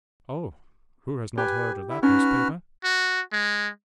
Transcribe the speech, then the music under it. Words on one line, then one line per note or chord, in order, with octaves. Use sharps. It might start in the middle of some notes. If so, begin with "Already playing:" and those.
"Oh--who has not heard of that newspaper?"
G4 B4 G#5
E4
C#4 D#4 F#4 B4 F6
F#4
G#3